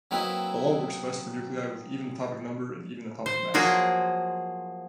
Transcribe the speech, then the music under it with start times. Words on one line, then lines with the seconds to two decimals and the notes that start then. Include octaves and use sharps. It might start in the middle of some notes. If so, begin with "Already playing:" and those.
The law works best for nuclei with even atomic number and even atomic mass.
0.11 F#3 A#3 C4 D#4 E4 B4
3.26 C5
3.54 F3 F#3 A#3 F#4 G#4